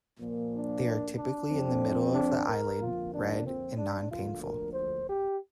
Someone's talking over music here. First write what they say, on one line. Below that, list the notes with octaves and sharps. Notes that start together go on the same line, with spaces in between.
They are typically in the middle of the eyelid, red, and non painful.
A#2 F3 A#3
D4
D4
F2 F3 C4
D4
A#4
F2 D3 F3 A#3 F4
D4
C4
D4
D2 D3 F3 A#3 F4
A#4
C5
G4